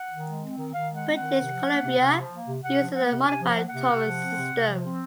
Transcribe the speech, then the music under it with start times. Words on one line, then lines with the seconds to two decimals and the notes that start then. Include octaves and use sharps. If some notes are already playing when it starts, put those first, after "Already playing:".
British Columbia uses a modified Torrens system.
Already playing: F#5
0.09 D#3
0.25 G#3
0.41 C4
0.57 D#3
0.73 D#3 F5
0.89 G#3
0.94 F#5
1.05 C4
1.15 F#5
1.20 D#3
1.37 C3
1.52 F3
1.68 A#3
1.84 C3
1.99 C3
2.15 F3
2.31 A#3
2.47 C3
2.63 C3 F#5
2.79 F3
2.94 A#3 F#5
3.10 C3
3.26 C3 G#5
3.42 F3 F#5
3.58 A#3
3.68 F#5
3.74 C3
3.89 C3
4.05 F3
4.20 C4
4.37 C3
4.53 C3
4.68 F3
4.84 C4